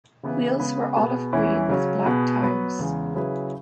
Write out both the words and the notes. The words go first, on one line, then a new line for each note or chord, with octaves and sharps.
Wheels were olive-green with black tyres.
C#3 E3 B3 E4 B4
C#3 G#3 B3 G#4 B4
B2 B3 G#4 B4
E2 E3 C#4 E4
C#3 F#3 C#4
B2 B3 G#4 B4
F#3 B3 F#4 B4
E2 C#3 G#3
C#3 F#3 E4 G#4 B4